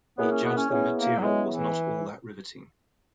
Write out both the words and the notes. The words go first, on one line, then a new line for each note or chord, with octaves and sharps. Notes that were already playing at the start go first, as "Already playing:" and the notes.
He judged the material was "not all that riveting".
A#3 B3 E4 G#4 C#5
C#4
B3
C#4
B3 C#4 E4 G#4 C#5
A#3
F#3
G#3 B3 E4 G#4 C#5
E3